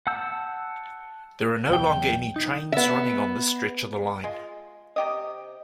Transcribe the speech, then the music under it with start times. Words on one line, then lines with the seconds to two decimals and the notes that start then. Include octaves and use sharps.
There are no longer any trains running on this stretch of the line.
0.07 F#5 A5 E6 G6
1.69 B1 E2 G5
2.36 D#4
2.72 B3 E5
4.24 G#3 F4
4.96 C3 G4 D#5